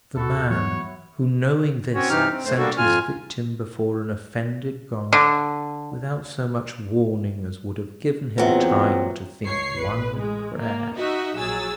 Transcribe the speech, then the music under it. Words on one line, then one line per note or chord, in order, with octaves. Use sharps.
The man who, knowing this, sent his victim before an offended God, without so much warning as would have given him time to think one prayer.
D#1 E4 F#4 A4
E3 F#3 B3 C#5
C4 C#4 F#4 C#5
G2 C3 E3 D#4 G4 F6
C4
G2 A3 C5
G3 A#3 D4 F#4 A4
F2 F4 G#5 F6
D3
E2 A#2 F#3 C4 B4 E5
C#2 C#5 C7 C#7
A1 B4
G#3
A#3
D#4 F#4 D#5 E5
A#1 F#3 G#4 G#5 E6 A6